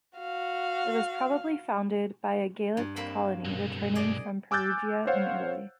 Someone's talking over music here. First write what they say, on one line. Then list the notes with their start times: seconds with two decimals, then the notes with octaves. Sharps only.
It was probably founded by a Gallic colony returning from Perugia in Italy.
0.18 F#4 F5
2.77 G2
2.96 A#3 C4 B5
3.45 B1 G2
3.95 G#4 D5 D#5
4.51 G#5 D6 E6 F#6 G6 A6
5.07 C5 C#5 F5 F#5